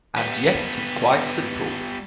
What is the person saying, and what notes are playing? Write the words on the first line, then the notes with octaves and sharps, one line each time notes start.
And yet it is quite simple.
G3 B3